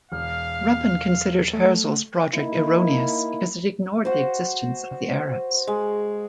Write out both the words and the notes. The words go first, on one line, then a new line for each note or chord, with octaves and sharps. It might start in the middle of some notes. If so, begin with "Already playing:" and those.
Ruppin considered Herzl's project erroneous because it ignored the existence of the Arabs.
E1 F5 F6
A3
A#3 D#4 E4
F#4 C5
G#3